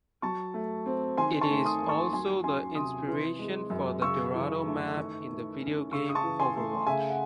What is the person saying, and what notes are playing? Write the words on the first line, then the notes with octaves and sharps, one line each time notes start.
It is also the inspiration for the Dorado map in the video game Overwatch.
F#3 A5 C#6
A3
C4
D#3 G#5 C6
A5 C#6
A3
C6 D#6
D#2
A5 C#6
F#3 G#5 C6
C#4 G#5 C6
C3 C6 D#6
E3
G#3
F#2
C#3 C#6 E6
E3
A3
D#3
A3
C#4
C#3 C#6 E6
D#6
A5 C#6
E3
G#5 C6
A3
C#3 E5 G#5
F#5